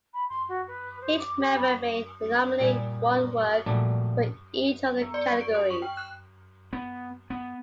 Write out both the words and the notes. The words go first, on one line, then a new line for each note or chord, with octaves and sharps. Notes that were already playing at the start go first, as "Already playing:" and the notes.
Each member may nominate one work for each of the categories.
B5
C6
F#4
B4
C5
D6
G4
B5
A#2 G3 G#5
A#1 A#2 F#3 G3 A3 D4
B3
D5
C#6
D7
D#6
C#6
G5
F#6
B3
B3